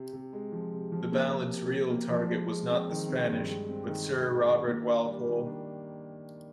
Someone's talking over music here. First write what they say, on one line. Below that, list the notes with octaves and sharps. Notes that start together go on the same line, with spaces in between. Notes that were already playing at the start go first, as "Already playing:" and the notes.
The ballad's real target was not the Spanish but Sir Robert Walpole.
Already playing: C3
C3
G#3
F3
C3
F3
A#3
C3
C3
C3
A#3
F3
G#3
G#3
C4
D#3
C4
G2
G#3
C4
D#3
D#3
D#3
D#3
A#3
D4
G3
D#3
D4